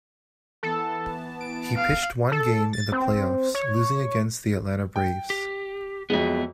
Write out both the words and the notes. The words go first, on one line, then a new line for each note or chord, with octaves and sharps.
He pitched one game in the playoffs, losing against the Atlanta Braves.
E3 B3 A4 A5
D7
F5
A4
A6
C4
C#5
G5
G4
F2 F#3 G#3 B3 E5